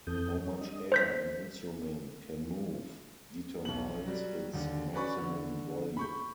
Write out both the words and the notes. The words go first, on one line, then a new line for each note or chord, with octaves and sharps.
How much air an instrument can move determines its maximum volume.
F2 E3 C4 A4 D#6 G6
C#5
G3 D4 D#5 D#6
C5 G6 B6
B1 F#7
F#3 G3
D#2 D3
C#4 F#4 B4 D5 B5 C#6
D3
B5 C#6 G6